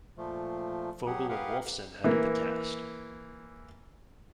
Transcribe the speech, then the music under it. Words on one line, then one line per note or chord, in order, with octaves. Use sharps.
Fogel and Wolfson headed the cast.
A#2 F3 A3
F#3 G4 G#4 F#5
G4 G#4 A#4 B4 F5 F#5
E3 A#3